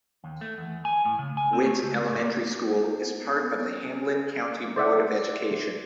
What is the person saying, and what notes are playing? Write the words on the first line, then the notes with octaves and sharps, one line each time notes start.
Witt Elementary School is part of the Hamblen County Board of Education.
D#2
A3
E2
G#5
A2
C#3
G#5
C4
A3
C#2
A2
A#3
C5
B3
B3
C#4
C5 D5 E5 F#5